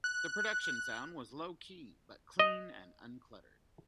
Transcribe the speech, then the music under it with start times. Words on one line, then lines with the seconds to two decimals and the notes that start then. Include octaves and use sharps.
The production sound was low-key, but clean and uncluttered.
0.04 F#6
2.39 D#5